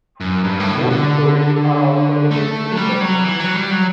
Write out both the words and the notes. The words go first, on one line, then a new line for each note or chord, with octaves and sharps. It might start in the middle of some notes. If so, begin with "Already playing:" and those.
Both stories are also located in Bethany.
F#2
G2
A2
B2
D3
A3
F#3
G3
F#3
E3
F#3
G3
F#3